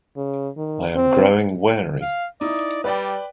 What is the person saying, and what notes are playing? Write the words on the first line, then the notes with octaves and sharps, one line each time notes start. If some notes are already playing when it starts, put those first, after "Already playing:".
I am growing wary.
C#3
D#3
C4
F5
D#4 E4 D5
G3 B4 D5 G5